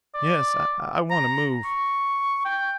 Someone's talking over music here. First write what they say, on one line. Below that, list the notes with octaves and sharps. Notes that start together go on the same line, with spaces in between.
"Yes, I want to move."
D5
A#5
C#6
G5